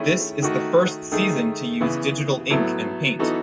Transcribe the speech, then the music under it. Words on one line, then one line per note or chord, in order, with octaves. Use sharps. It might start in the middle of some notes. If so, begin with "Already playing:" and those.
This is the first season to use digital ink and paint.
Already playing: D#3 A3 C#4 E4 G#4
D#3 A3 D#4 F#4
D#3 A3 D#4 G#4
C#3 E3 B3
A2 F#3 B3 E4 A4
E3 B3 D#4 F#4 A4